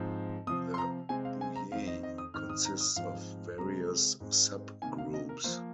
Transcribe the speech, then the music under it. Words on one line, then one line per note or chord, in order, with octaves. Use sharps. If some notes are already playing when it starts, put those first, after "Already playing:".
The Bouyei consist of various subgroups.
Already playing: G#2 F3 C4
C3 F3 C4 D#6
C6
A#5
C3 G#3 C4 G#5
F5
G#5
A#5
F2 D#3 C4 F5
D#5
D#5
D#6
G#2 D#3 C4 F6
D#6
A#5
D#6
G#2 F3 C4 F5
C3 G#3 C4 A#5
G#2 G#3 C4
C3 D#3 A#3 G#5
F5
D#5
A#4
F3 A#3 C5